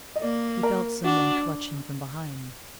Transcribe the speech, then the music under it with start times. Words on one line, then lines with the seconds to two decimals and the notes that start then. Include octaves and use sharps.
He felt some one clutch him from behind.
0.16 D#5
0.21 A#3 D5
0.63 A#4
1.04 D4 F#4